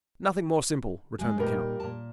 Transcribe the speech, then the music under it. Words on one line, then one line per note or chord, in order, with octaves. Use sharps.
"Nothing more simple," returned the count.
G#3 G#4
A#2 G3 D#4 A#4
A#2 A5